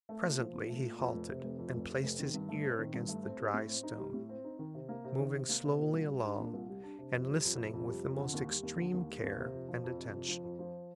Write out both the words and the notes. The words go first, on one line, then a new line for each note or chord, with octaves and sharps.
Presently he halted and placed his ear against the dry stone, moving slowly along and listening with the most extreme care and attention.
A3
A#2
F3
A#2
A3
A#2
F2
F1
C3
F1
F2
F1
C3
F1
D#3
G2
A3
C4
D#3
G2
A3
C4
G3
A2
C4
D#4
G3
A2
C4
D#4
D#3
C3
A#3
C3
D#3
C3
A#3
C3
A#2
C2
G3
D4
A#2
C2
G3
D4
C3
F2
G3
F2
C3
F2
G3
F2
D3
D#2
G3
D#2
D3
D#2
G3
D#2
C3
F2
F3
F2
C3
F2
F3
F2
F3